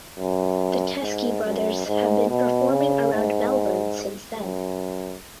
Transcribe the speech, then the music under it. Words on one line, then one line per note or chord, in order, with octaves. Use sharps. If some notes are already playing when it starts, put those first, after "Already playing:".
The Teskey Brothers have been performing around Melbourne since then.
F#2
G#2
F#2
G#2
B2
C#3
G#2
F#2